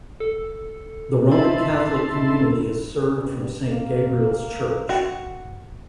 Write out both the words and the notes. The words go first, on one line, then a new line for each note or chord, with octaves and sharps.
The Roman Catholic community is served from Saint Gabriel's Church.
A4
D#4 E4 G#4 E5 A5 B5 C6
D#4
G2
A#3
F#4